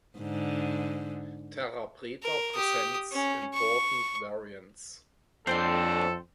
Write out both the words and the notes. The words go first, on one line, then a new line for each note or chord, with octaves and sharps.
Terra preta presents important variants.
G#2 D3
A#4
G4 D#6
C#4
C#6
F2 C4 D4 A4 C5 G5 C6